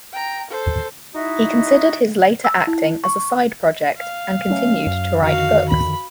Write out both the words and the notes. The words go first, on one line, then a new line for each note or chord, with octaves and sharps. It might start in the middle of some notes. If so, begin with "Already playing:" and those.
He considered his later acting as a side project and continued to write books.
G5 A#5
A4 C5
D#4 E4 F#4 D#5 E5
E6
E4
C#6
F5
F#3 A3 C#4
F#2
F2 D3 D#3 F#4 F5
B5